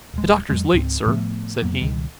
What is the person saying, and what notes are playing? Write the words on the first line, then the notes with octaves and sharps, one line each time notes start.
"The Doctor's late, sir," said he.
D#1 G#3
F2 F#3 G#3
C#2 G#2 G3 C4
A2 F3 A3 B3
F2 F#3 A#3 B3
C#2 B2 D#3 G3